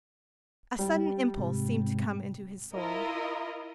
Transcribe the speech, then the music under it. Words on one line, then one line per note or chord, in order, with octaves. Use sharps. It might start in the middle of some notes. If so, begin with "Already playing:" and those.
A sudden impulse seemed to come into his soul.
G3
G#2 C3
E4 F4 A#4 D#5